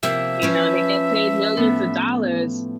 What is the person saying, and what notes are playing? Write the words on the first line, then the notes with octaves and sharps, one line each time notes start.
you know, they get paid millions of dollars
C3 F3 A#3 E5
F3 C#4 B4
A2 B3